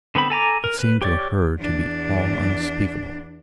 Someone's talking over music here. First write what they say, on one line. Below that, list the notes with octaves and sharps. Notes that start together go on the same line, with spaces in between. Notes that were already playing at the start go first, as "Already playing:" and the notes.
It seemed to her to be all unspeakable.
D3 B3 C4 B5
A4 G#5 A#5 D6
A#4
B4
G4 C#5 D5
E2 D4